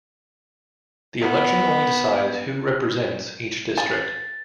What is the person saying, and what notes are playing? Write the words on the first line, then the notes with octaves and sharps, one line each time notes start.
The election only decides who represents each district.
B3
G#5 A6